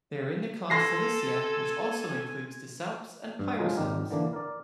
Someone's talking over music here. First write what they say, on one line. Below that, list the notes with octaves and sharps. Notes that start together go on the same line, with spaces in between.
They are in the class Thaliacea, which also includes the salps and pyrosomes.
A4 G#5 C6 A#6 C7
G2
F3 F#3 G#3 F4 G#4 A#5
G#1 G#2 G3 D#4 G4 A#4
D3 E3 A#3 D4
A#4 D5